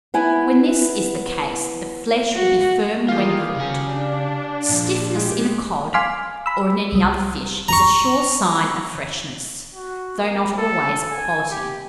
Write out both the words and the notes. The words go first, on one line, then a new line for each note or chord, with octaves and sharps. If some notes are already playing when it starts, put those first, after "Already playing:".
When this is the case, the flesh will be firm when cooked. Stiffness in a cod, or in any other fish, is a sure sign of freshness, though not always of quality.
B3 E4 G#5
F#4
D#3 E3 F4 G4 G#4 F5
C#3 F#3 G#5
D4
A#2 F3
G#3 G4
F5 G#5 C6 D6 F6 B6
B5 E6
C2 G3
A#5 C#6
F#4
A#3
A4
G#5
G4